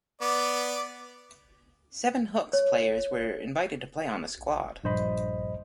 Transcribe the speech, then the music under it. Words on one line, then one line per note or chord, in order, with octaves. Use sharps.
Seven Hooks players were invited to play on the squad.
B3 D5 D6
C#5
A#1 G2 C5 D#5 B5